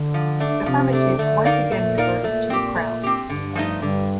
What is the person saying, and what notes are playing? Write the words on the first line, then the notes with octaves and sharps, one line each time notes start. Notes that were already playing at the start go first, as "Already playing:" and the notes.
The Hermitage once again reverted to the Crown.
Already playing: D3
F3
A3 D4
C3 F3
A3 D4
D3 A3
D#4 A#4 D5 F5
A#2 A3
D#4 A#4 D5 F5
A#2 A3
C4 G4
A3
C4 G4
G2 D3
F3 A3 D#4
G2 D3